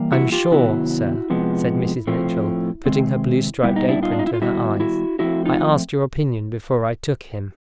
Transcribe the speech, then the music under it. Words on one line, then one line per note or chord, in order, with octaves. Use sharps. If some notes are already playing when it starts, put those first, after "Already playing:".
"I'm sure, sir," said Mrs. Mitchell, putting her blue striped apron to her eyes, "I asked your opinion before I took him."
Already playing: E3 G3 A#3
E4 F#4
F4 G4
C3 D#3 F#3 B3 E4 F#4
C3 F3 G#3 B3
A2 F3 A3 C4
C3 D#3 G#3 C4
A#2 G3 B3 E4
D#4
D4 E4
D#4 F4
D4
D#4
E4
F4
D#3 G3 B3 E4 F#4
E4 F#4
A2 F3 A3 C4 E4 F#4
D#4 F4